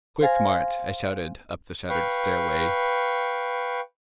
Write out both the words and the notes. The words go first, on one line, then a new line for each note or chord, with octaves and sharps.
"Quick, Mart!" I shouted up the shattered stairway.
C5 F5 G#5 A#6
B4 F5 G5 C#6